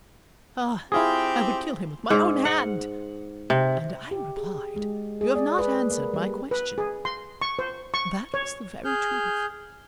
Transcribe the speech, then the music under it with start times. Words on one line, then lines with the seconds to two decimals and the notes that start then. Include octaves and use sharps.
'Ah, I would kill him with my own hand!' And I replied, 'You have not answered my question.' That was the very truth.
0.92 C4 E4 F4 G4 G#4
2.10 G#2
2.45 F#5
3.50 C3
4.11 G4
4.37 G#4
4.76 G#3
5.21 G#4
5.36 D5
5.59 B4
5.90 A#3
6.14 G3
6.51 B4
6.78 G#4
7.05 C6
7.42 C#6
7.59 C5
7.94 C#6
8.34 C#5
8.85 G#4 F6 G6